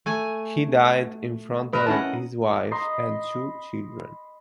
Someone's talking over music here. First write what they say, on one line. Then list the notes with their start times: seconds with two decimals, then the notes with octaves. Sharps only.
He died in front of his wife and two children.
0.06 A3 G#5
1.73 A#4 B4 D#5 E5
1.87 C#4 E4 D#5 F#5 A5
2.71 D#5 B5 C6